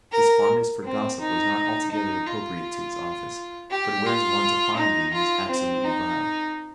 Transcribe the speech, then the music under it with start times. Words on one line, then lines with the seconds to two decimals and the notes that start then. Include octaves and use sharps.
This fondness for gossip was not altogether appropriate to his office, but where is one to find beings absolutely vile?
0.12 A#4
0.84 C4
1.20 D#4
1.91 D#4
2.26 F4
3.70 G4
4.06 F4
4.77 D#4
5.13 F4
5.49 C4
5.84 D#4